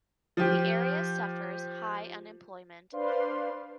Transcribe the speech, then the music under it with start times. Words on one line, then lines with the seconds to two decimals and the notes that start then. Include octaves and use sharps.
The area suffers high unemployment.
0.37 F3 G4
2.92 D4 B4 C5 D5 F5 C6